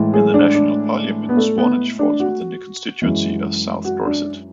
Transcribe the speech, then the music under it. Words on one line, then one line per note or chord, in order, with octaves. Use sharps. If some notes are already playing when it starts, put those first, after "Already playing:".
In the National Parliament, Swanage falls within the constituency of South Dorset.
Already playing: A2 E3 G#3
G#4
D4
D4
B3
A3
B3
D4
F#4
F#2 E3 G#3
F#4
D4